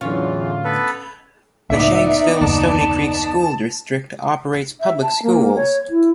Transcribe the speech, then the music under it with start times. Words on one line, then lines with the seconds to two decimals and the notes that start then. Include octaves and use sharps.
The Shanksville-Stonycreek School District operates public schools.
0.01 E2 A2 D3 E3 F#3 C#4 F4
0.64 B3 A4 B4
1.70 C#2 A2 B3 D#4 D5 E5
2.41 F#1 D#2 A5
4.80 E5
5.02 A5
5.23 A#3
5.56 C#5
5.90 E4